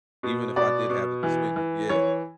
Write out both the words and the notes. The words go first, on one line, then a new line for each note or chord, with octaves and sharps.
even if I did have it to spent it yeah.
B2
B2 D5
B2
E3
E3
E3 C#5